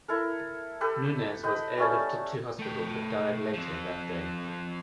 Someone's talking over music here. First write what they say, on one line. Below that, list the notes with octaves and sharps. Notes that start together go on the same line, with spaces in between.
Nunes was airlifted to hospital but died later that day.
E4 A4 A#4
G4 A4 B4
B4 D#5 G5
G3 A3 C#4 A5
A3 G5
F3 C4